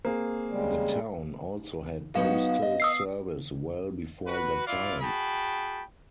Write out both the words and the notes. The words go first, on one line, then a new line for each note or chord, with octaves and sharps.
The town also had postal service well before that time.
A#3 C4 G#4
C#3 G3 G#3
F#3 B3 D#4 F5
D#5
D#6 E6 C7
F#4 B4
E4 F4 D5 F5
F#4 G#4 G5 A5 B5